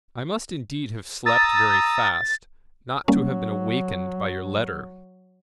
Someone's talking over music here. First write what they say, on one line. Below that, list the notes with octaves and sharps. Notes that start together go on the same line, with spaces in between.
'I must indeed have slept very fast, not to have been awakened by your letter.
A#5 D#6 E6 A6
F#3 G3 A#3 C#4